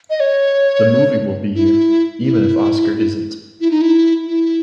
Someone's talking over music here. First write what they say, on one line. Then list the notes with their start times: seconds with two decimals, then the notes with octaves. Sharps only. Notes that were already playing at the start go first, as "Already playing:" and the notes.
The movie will be here, even if Oscar isn't.
0.10 D#5
0.20 C#5
1.55 E4
2.23 E4
3.60 E4
3.71 D#4
3.81 E4
4.27 E4